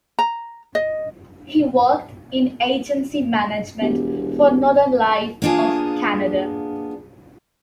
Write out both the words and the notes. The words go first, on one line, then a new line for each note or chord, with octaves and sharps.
He worked in agency management for Northern Life of Canada.
A#5
D#5
E1 B3 G4
A#3 B3 D4 F4 G#4